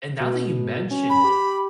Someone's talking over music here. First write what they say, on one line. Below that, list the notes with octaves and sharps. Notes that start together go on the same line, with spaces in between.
And now that you mentioned it,
B2
C#4
B5
G4